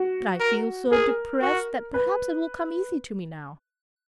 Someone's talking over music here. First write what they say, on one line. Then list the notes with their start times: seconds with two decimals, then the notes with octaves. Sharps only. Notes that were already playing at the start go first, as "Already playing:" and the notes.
But I feel so depressed that perhaps it will come easy to me now.
Already playing: F#4
0.40 A#4
0.91 G#4 A#4
1.42 F#4
1.94 B4